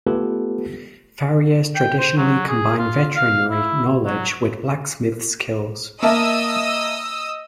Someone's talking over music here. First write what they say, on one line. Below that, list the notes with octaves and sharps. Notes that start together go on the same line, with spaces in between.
Farriers traditionally combined veterinary knowledge with blacksmiths' skills.
A3 B3 F4 G4 A4 B4
G5
C5
F#3
G#4
F4
F5
E4
F#3
A#3 D#5 E5 A5 D#6 E6